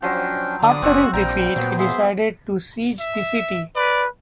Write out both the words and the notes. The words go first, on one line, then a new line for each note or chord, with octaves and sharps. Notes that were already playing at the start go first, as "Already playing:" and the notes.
After his defeat he decided to siege the city.
F3 F#3 C#4 D4 G5
D3 D5 D#6
F#1 C4 F#4
A#1 G3 G5 A#5
A#2 F#3 B3
G#4 C5 E5
E5
B4 D5